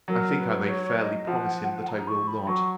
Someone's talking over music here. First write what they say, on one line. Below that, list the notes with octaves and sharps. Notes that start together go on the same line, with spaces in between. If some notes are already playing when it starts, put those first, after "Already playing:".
I think I may fairly promise him that I will not.
F#3 A#4
B4
C#5
D#5
F3 F#5
A#5
C#6
B5
B5
F#3 C#6